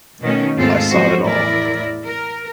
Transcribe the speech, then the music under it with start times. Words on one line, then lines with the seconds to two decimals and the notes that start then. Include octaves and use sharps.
I saw it all.
0.22 B2 D#3 A3 C#4
0.56 D#2 G#2 C4 F4 A4
0.90 F#2 F3 F#4 C5
1.23 E2 A2 E4 A#4 D5
2.05 A#4